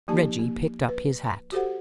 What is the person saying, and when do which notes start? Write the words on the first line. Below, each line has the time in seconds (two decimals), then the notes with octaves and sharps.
Reggie picked up his hat.
0.08 F3 A#3 D#4 G4 A5
0.39 A#3
0.89 B4
1.52 F#4 G4 A4 C5 F#5